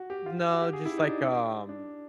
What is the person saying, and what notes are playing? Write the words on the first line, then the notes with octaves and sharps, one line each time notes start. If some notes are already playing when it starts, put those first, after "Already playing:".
No, just like, um,
Already playing: F#4
G4
F4
F#4
G4
G#4
E4
D#4
D4
D4